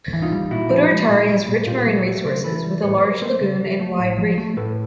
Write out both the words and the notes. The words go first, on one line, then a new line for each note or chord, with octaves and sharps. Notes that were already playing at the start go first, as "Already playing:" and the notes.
Butaritari has rich marine resources, with a large lagoon and wide reef.
E3
D#4 F4
G3
A#2 E4 F#4
F3
G#3
A#2
G3
A#2
A#2 F4 G4
F#3
F#4 G#4
A3
C#3 A#4 C5
E3 A4 B4
G3
A2 B4 C#5
F#3 A#4 C5
A3 A#4 C5
C#3
F#3
A3
A2
F3
A3
A2 A4 B4